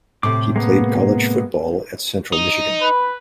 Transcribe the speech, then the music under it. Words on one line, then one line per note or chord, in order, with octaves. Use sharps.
He played college football at Central Michigan.
A2 C3 D6
G#3 A#3 B3
D#4
B4